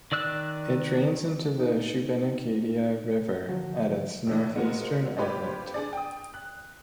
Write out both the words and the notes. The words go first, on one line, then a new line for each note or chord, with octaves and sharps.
It drains into the Shubenacadie River at its northeastern outlet.
D#3 D5 E6 F#6
D#4
D3 F3 F#3 F#4
A#1 E3
G#3 B3 C4 F4 F#4 A#4
C4 D4 F4 G4 B4 C#5
D4 G#4 D5
G5 D#6
F#6